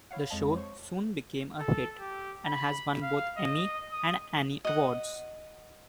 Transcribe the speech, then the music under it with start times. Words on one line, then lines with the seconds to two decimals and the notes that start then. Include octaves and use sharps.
The show soon became a hit and has won both Emmy and Annie awards.
0.11 E4 C#5 F5 F#5
0.30 F2 G#3 C#5 D#5 A5
0.57 C5 C#6
1.59 A4
2.00 G4
2.47 B5
3.02 F5
3.37 D#5
3.92 D#6
4.65 D#5 F#5